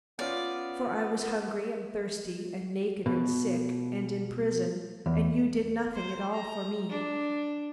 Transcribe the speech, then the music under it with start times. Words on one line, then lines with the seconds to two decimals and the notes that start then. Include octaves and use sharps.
For I was hungry, and thirsty, and naked, and sick, and in prison, and you did nothing at all for me.'
0.19 B3 C#4 F4 D5
3.06 B2
5.06 E2
5.94 C5
6.33 A#5
6.90 D4